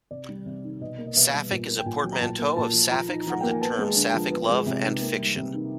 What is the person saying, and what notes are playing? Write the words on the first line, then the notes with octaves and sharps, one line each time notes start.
"Saffic" is a portmanteau of Sapphic from the term Sapphic love and fiction.
C3 D5
G3
C3
D#3
B2 D#5
A#3
D#5
B2 E5
G3
A#2
A#3
G5
A#2 G#5
F#3
A#5
A#2 A5
A#3
A#2 A5
F3
F3 A#5
D#4
F3 F#5
A#3 G5
G#5
B3 A5
G#3
D3
F3
B3
G#3
C3
D#3
A#3
G3
C3
D#3